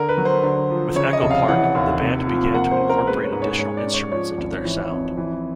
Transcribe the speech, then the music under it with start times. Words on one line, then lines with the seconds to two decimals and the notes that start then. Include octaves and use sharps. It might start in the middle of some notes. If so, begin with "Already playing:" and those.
With "Echo Park", the band began to incorporate additional instruments into their sound.
Already playing: D3 A#4
0.09 B4
0.18 F#3
0.25 C5
0.43 D3
0.70 F3
0.95 C#3 C#5
1.13 D#5
1.22 F1
1.31 F5
1.48 E3 F#5
1.75 D#2
2.01 C3
2.27 F3
2.54 A#3 F#5
2.71 C5
2.81 C#4
2.89 A#4
3.07 G#3 B4
3.24 C#5
3.32 G#2
3.42 C#5
3.59 G#3 C#5
3.77 D5
3.86 C#4
3.94 C#5
4.12 F3 C#5
4.38 G#1
4.65 E3
4.91 F2
5.17 E3